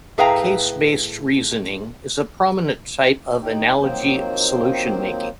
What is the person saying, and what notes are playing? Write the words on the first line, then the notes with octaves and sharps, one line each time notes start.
Case-based reasoning is a prominent type of analogy solution making.
A2 G#4 B4 F5 G5 A#5
D#4 G4
D#3 F3 F#3 A#3 C4 C5